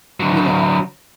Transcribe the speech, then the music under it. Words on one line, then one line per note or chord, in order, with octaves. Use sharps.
you know
D3 F#3